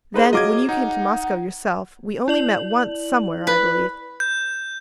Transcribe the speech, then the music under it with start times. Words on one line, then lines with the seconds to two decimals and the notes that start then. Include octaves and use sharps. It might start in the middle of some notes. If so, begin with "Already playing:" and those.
Then, when you came to Moscow yourself, we only met once somewhere, I believe.
0.14 D#4 G#4 B4 C5
0.33 F#3 F4 D#5 D6 G#6
0.69 D#4 F#5
2.28 E4 D5 F#7
3.47 B4
4.20 G6